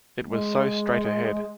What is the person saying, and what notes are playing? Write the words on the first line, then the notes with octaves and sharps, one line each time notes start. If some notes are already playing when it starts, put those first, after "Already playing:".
It was so straight-ahead.
G#3